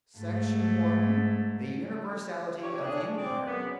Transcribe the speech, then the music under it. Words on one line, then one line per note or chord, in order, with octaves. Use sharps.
Section One: The universality of the Empire.
G#2 A3
D4 G4 C#5
D4 G#4
C4 D5
F#2 G#3 B3